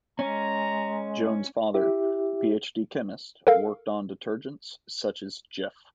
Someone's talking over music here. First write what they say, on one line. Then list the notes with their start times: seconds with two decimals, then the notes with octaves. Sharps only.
Jones' father, a PhD chemist, worked on detergents such as Jif.
0.19 G#3 C#4 A#5
1.74 E4 G4 E5
3.47 A4 A#4 F5